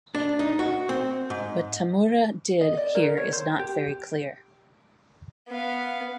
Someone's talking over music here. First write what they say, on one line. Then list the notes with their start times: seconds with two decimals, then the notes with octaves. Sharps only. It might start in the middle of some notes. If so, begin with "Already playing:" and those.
What Tamura did here is not very clear.
0.15 D4
0.39 D#4
0.59 F#4
0.89 C4
1.30 G#2
2.61 D#5
2.77 D5
2.95 A#4
3.17 C#5
3.32 C5
3.59 G4
5.48 B3 F5